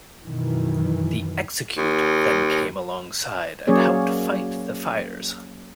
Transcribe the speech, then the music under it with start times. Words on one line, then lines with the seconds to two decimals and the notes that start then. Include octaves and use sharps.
The "Execute" then came alongside and helped fight the fires.
0.22 F#2 B2 D#3 E3
1.77 D#2
3.67 F#3 A#3 C#4 G#4 C#5 D5